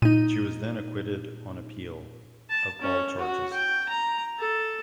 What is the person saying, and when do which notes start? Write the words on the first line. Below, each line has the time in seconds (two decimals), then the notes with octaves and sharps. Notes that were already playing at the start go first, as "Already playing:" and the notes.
She was then acquitted on appeal of all charges.
0.02 A#2 D#4 D#7
2.50 A5
2.82 C#4
3.18 F#4
3.53 G5
3.89 A#5
4.39 A4